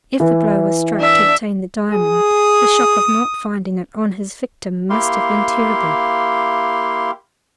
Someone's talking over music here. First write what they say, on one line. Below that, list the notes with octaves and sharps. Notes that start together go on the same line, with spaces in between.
If the blow was struck to obtain the diamond, the shock of not finding it on his victim must have been terrible.
E3
D4 E5
G#4 D#6
A#3 E4 G4 F5 C6